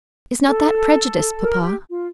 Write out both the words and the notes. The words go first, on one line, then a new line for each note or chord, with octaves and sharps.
"Is not that prejudice, papa?"
A4
A#4
G4
F4